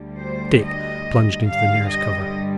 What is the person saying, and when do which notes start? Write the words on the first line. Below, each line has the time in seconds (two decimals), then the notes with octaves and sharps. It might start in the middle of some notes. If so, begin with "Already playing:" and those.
Dick plunged into the nearest cover.
Already playing: D2 D3 G3
0.19 C5
0.62 D#5
1.47 G2 D3 G3 F5
1.89 D#5